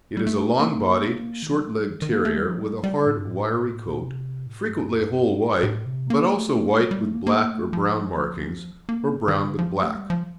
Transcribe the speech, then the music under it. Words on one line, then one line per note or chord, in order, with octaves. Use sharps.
It is a long-bodied, short-legged terrier, with a hard, wiry coat, frequently whole white, but also white with black or brown markings or brown with black.
G3
A3
A#3
A3
A#3
D#3
F3
G3
A3
G3
D#3
D#3
A#3
A3
G3
F3
G3
G3
A2
G2
A2
A#2
C3
A2
G2
F2
G2
A2
A2
C3
A#3
A3
A#3
A3
G3
G3
A3
A#3
A#3
A3
F3
A#3
D#3
D3
F3
A3
G3
F3